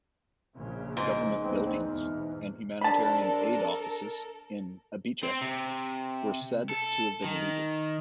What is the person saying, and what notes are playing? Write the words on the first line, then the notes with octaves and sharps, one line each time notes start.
Government buildings and humanitarian aid offices in Abeche were said to have been looted.
A#1 C#3
G#2
D2 B3 C4
E2 B2
A#1 C3 D4 A4 A#4 A5 B5
C4
C3
A4
D#3